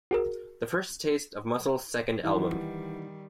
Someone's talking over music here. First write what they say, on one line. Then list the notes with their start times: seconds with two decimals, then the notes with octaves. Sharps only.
The first taste of Muscles' second album.
0.11 F#4 G#4 A#4
2.24 D#3 E3 G3 D#4 E4 F#5